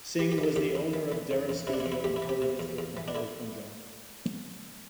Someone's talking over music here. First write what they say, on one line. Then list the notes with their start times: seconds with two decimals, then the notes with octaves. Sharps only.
Singh was the owner of Dara Studio at Mohali, District Mohali, Punjab.
0.19 E3 G4
0.32 G4
0.38 E3
0.43 A4
0.56 E2 G4
0.75 E2
0.93 E3
1.12 E3
1.31 E2
1.49 E2
1.67 C3 E4
1.73 D4
1.80 E4
1.86 E2
1.92 E4
2.04 E2 G4
2.16 E4
2.22 E3
2.29 G4
2.42 C3
2.59 E2
2.78 E2
2.97 E3
3.08 D4
3.15 D3 E4